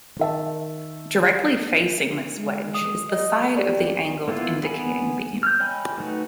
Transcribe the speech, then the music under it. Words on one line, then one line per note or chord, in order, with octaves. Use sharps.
Directly facing this wedge is the side of the angled indicating beam.
D#3 E5 A5
G#3
D#6
D#5
G4 D5
A#3 B3 E4 F4
B3 G#5 B5
F6 G6
C#5 D#5 G5 G#5 B5
A3 D#4 F#4 B4